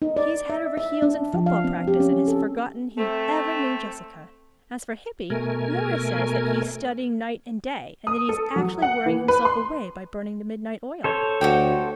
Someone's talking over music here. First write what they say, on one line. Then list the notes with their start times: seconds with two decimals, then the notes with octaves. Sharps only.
"He is head over heels in football practice and has forgotten he ever knew Jessica. As for Hippy, Nora says that he is studying night and day, and that he is actually wearing himself away by burning midnight oil."
0.02 D#4
0.16 D5
0.50 E5
0.77 E5
1.02 D4
1.34 F3
1.46 F5
1.64 C4
1.87 G4
2.00 C#4
2.28 A4
2.98 A3 C4
5.30 B2 A3 A#4 G#5
8.07 D#6
8.29 A4
8.56 F#3
8.82 F#5
9.06 E3
9.28 B4
9.45 C6
11.04 A4 C5 C#5
11.41 D2 F#4 G4 G5